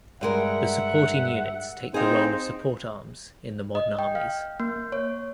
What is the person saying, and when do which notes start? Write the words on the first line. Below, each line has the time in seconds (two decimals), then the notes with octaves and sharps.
The supporting units take the role of support arms in the modern armies.
0.21 G2 G#3 A#4 E5 F#5
1.94 C4 D#4 G#4 C5 F5
3.75 D#5
3.99 G5
4.15 F5
4.60 A#3
4.92 C#5